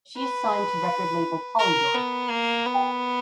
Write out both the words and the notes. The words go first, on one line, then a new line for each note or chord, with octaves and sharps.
She is signed to record label Polydor.
B4
A#4
B3
A#3
B3